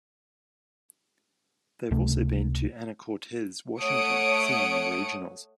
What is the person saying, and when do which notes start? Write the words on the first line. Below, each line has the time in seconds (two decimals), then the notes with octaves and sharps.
They also have been to Anacortes Washington, singing in Regionals.
1.91 C#2 C3 A3
3.80 A3 C#5 F#5 D#6 C#7 D7